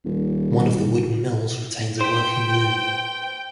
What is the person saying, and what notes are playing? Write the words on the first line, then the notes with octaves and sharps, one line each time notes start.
One of the woollen mills retains a working loom.
D#1
B4 C5 G5